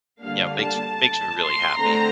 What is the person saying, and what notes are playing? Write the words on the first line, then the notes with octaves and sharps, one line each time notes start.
you know, makes makes me really happy.
D3 G3 A#3 D4 F5
A5
A5
C6
D3 A3 C4 A#5